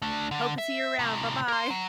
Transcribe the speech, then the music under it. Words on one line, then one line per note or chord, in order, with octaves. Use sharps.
Hope to see you around. Bye-bye.
A3 D4
D3
E5
A2 C3
A#4 C6
F#3